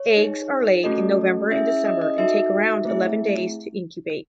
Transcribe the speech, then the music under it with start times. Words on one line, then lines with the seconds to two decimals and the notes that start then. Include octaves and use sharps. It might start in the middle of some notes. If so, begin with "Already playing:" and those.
Eggs are laid in November and December and take around eleven days to incubate.
Already playing: C#5
0.17 D#4 G#4
0.84 A3 C#4 F#4 A4 D#5
1.51 C#4 E4 G#4 E5
1.68 E5
1.85 D#5
2.01 D#5
2.18 D#4 F#4 A4 E5
2.85 A3 C4 E4 G#4